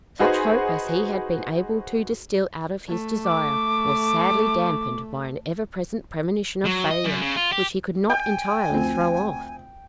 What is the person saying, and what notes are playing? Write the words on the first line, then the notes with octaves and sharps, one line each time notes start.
Such hope as he had been able to distil out of his desire was sadly dampened by an ever-present premonition of failure, which he could not entirely throw off.
D#4 F#4 G#4 B4 C5 D#5
A3
D6
F#3
D#5
F#2
C#3
F4
G4
G5 G#5
D2 F3 C4